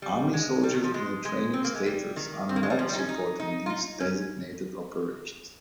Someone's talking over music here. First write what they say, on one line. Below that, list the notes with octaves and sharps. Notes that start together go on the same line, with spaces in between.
Army soldiers in a training status are "not" supporting these designated operations.
G3
G#3
G3
D#3
F3
G#3
G#3
C4
A#3
G#3
G3
D#3
C4
A#3
G#3
G3
F3
G3
D#4
C#4
D#4
D#4
F4
D#4
C#4